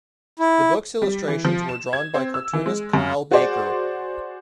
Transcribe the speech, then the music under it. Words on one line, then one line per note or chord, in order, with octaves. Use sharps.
The book's illustrations were drawn by cartoonist Kyle Baker.
E4
G3
E3
F3
E7
G#6
C4
E6
E3
G#3
F#2
F#4 G#4 C5 D5